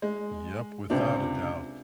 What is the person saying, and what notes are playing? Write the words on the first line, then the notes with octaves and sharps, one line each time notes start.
Yep, without a doubt.
G#3
C#2 C3 D4